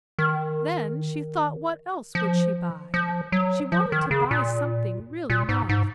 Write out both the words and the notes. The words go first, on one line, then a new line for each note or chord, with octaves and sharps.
Then she thought what else would she buy: she wanted to buy something really nice.
D#3
F3
F3
F#3
F3
D#3
C#3
A#2
A#2
G#2
G#2